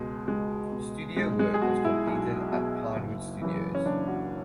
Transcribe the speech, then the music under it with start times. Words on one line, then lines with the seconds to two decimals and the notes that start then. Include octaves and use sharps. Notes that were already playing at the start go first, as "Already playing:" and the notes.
Studio work was completed at Pinewood Studios.
Already playing: C#2 B2 G#3
0.27 C#2 G#3
0.72 B2
1.17 B1 G#3
1.39 G#3
1.54 G#4
1.62 B2 F#4
1.85 E4
2.07 B1
2.52 B2
2.96 F#1
3.42 F#2 E3
3.75 C#4
3.86 F#1 D4
4.08 F#4